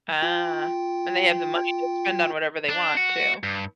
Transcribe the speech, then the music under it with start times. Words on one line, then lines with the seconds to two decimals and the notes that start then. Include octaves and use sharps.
Ah. And they have the money to spend on whatever they want, too.
0.21 F4 G5
2.69 D4
2.97 F#4
3.43 G2